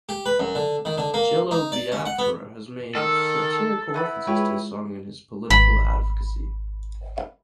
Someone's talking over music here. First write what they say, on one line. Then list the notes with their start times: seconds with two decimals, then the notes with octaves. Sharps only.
Jello Biafra has made satirical references to the song in his political advocacy.
0.09 G4
0.26 B4
0.40 F#2
0.55 D3
0.85 D#3
0.98 D3
1.14 A#3
1.51 D#4
1.72 D5
1.92 C#4
2.06 F#5
2.19 B3
2.95 D#3 A4 E6 F6
3.94 B3 E4 G#5 B5
4.27 G#3 F4 G#4 B4 C#5 G5
5.50 G#1 B5